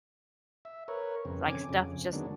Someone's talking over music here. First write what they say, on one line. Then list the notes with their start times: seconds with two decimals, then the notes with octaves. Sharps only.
like, stuff just
0.65 E5
0.88 A#4 B4 C#5
1.25 F2 C#3 C4
1.48 D3 C#4 G#5 D6
1.69 F2 C#3
2.13 D3 D#3 F#3 G#3 B3 D4